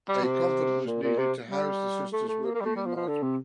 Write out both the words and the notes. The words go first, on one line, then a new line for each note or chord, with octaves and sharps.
A convent was needed to house the sisters working in the hospital.
G3
C3
A#2
A#2
C3
G3
A3
A3
A#3
A#3
G3
A3
G3
F3
F3
D3
C3